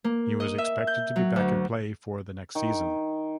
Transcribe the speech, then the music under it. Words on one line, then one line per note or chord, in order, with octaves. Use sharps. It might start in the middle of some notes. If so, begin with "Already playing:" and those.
He was expected to be back in play for the next season.
A#3
D#5
E5
G6
F#3
D2
D#3